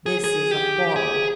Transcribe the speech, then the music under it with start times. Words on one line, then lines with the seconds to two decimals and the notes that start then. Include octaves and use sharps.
This is a bottle.'
0.06 G#4
0.24 G#4
0.51 G4
0.96 G#4